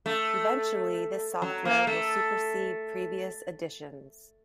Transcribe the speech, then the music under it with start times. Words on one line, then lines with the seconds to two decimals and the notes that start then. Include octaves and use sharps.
Eventually this software will supersede previous editions.
0.06 A3
1.42 F#3
1.65 A#3
1.87 A3